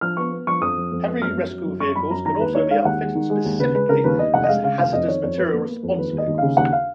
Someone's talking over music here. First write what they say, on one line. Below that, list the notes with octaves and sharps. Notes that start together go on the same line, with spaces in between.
Heavy rescue vehicles can also be outfitted specifically as hazardous material response vehicles.
F3 F6
B3 C#6
B3
F3 C#6
F2 D#6
F3
F2
B3
F#2 F6
F#2
F#3
F#2
F#2 C#6
F#2 B5
F#2 A#5
D#3 A#5
D#2 B4
D#4 C#5
G#3 F5
D#2 F#5
G#3
D#3
G#3
D#2
C#3 B4
G#3 B4
C#3 A#4
D#2 B4
D#2 D#5
F1 F#5
D#5
G#3 F5
C#3 F5
F1 F5
F2 D#5
D#3 C#5
F2 C#5
F2 B4
A#3
A#3
F2
D#2 B4
D#2
D#5
D#2
C#3 F5
D#2 F#5
F5